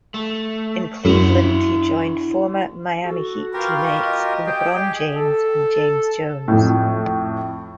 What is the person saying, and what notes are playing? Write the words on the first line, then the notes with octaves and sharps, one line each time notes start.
In Cleveland, he joined former Miami Heat teammates LeBron James and James Jones.
A3
F#2 E4 F#4
F#4 A4
F4 G4 A#4 B4 F5
D#5
G4 G#4 G5
A4
F2 A2